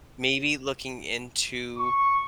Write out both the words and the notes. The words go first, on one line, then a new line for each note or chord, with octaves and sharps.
maybe looking into
C#6